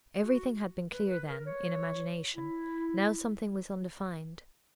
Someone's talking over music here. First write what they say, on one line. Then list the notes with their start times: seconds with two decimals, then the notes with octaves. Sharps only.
Everything had been clear then, in imagination; now something was undefined.
0.22 F#4
0.92 B4
1.10 B4
1.29 A#4
1.46 C#5
2.36 E4